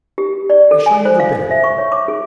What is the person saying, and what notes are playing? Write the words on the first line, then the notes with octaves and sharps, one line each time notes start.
I show you the bed.
G4
D5
A4
G#5
C5
F5
E5
C#6
C#5
D6
G#4